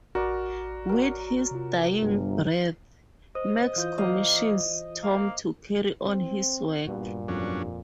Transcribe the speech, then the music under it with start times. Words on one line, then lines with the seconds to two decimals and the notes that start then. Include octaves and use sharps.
With his dying breath, Max commissions Tom to carry on his work.
0.15 A1 F#4 A#4 D5
0.89 F#3 A#4
1.51 C3 F4
2.02 G1 G2
3.35 C5 D#5 D#6
3.76 E3 F4 G6
3.98 A#3 D#5
5.03 A#3
6.04 C4
6.87 G2 A#2 B3 F#4
7.28 F2 F#3 C#4 D4